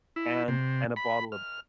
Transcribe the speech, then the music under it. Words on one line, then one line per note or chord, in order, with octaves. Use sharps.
and and a bottle of b
E4
C3
B5
F6